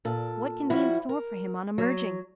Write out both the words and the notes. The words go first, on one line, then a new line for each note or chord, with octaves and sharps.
What can be in store for him on emerging?
A#2 A4
F3 G3 E4 F#4
A#4
F#3